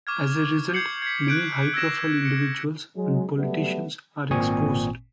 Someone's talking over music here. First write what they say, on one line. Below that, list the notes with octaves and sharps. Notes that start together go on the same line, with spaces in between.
As a result, many high profile individuals and politicians are exposed.
C#6 D6 F6 G#6
G6 G#6 C7 C#7 F#7
G#6 B6
F#6 G6 D7
E6 G#6 A#6 E7
C#7
F#3 G#3
F#3 G3 A3 B3
G#1 A#2 C4 G#5 C#6 D#6